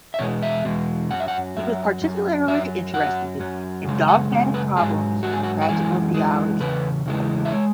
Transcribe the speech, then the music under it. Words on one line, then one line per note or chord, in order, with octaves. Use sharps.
He was particularly interested in dogmatic problems and practical theology.
E5
E2 B2 G#3 C#5
E5
E2 B2 G#3
F#2 F#3 F#5
E5
F#5
F#2 F#3 E5
F#2 F#3
F#2 F#3 E5
F#2 F#3 F#5
F#2 F#3
F#2 C#3 G#3
F#5
F#2 C#3 G#3
B4
G#2 F#3 G#4
G#2 F#3 F#4
G#4
F#4
F#4
F#2 E3 G#3 G#4
F#2 E3 G#3
E2 C#3 B4
E2 C#3 E3 G#3
E5
G#3 C#5